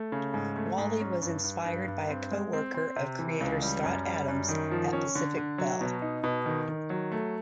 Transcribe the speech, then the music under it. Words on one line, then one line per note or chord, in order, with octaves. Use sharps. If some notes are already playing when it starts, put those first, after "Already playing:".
Wally was inspired by a coworker of creator Scott Adams at Pacific Bell.
Already playing: A3
C#3
G#2
A3
G#2
C#4
G2
G2
G2
G2
C4
G#3
C4
C4
C3
E3
C#2
G3
F#2
G3
F#2
D#3
F3
C#4
D3
D3
F#3
B2
D#4
B2
D#3
D#3
F#3
A3